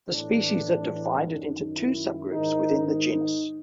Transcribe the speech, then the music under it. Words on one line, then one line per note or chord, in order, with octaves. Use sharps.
The species are divided into two subgroups within the genus.
A2 E3 D4
F#2 D#3 D#4
E4
G#2 D#3 D#4
D#4